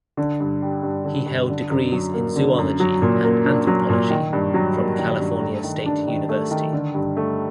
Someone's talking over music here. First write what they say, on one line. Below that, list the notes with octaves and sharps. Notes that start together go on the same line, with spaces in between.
He held degrees in zoology and anthropology from California State University.
D3
G2
G3
G2
D3
G2
D3
F#2
F#3
A#3
D3
F#2
F#3
A#2
A#3
D4
F#3
A#2
D#3
G2
F#3
A#3
D#3
G2
A3
D#3
D4
D#3
A3
D#3
D3
G2
A3